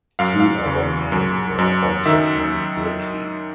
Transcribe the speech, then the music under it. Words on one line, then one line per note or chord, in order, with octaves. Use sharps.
Two other men were also found guilty.
F#2 F5
F5
C#3
F#2
F#2
D#3 E5